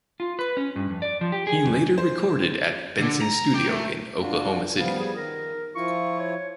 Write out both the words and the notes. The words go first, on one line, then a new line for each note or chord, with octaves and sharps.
He later recorded at Benson Studio in Oklahoma City.
F4
B4
C#4
G2
F2
D5
F3
G4
G#4
F2
C5
D3
A#5
G4
A3
D4 F4 F#4
F3 G3 B3 F5
G#4
D#3 A#4
F3 E4 F4 C#6
C#5